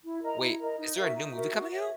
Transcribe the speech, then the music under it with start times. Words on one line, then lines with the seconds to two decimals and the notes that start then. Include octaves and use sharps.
Wait. Is there a new movie coming out?
0.03 E4
0.22 A#4 D#5 A#5
0.40 E4
0.59 A#4 D#5 A#5
0.78 D#4
0.97 F#4 A#4 E5
1.15 D#4
1.34 F#4 A#4 E5
1.53 F#4
1.72 C#5 E5